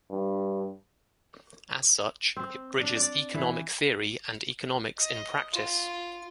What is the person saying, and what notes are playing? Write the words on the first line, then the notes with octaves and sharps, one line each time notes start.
As such, it bridges economic theory and economics in practice.
G2
C4
D4
D5
E3
D#5
F4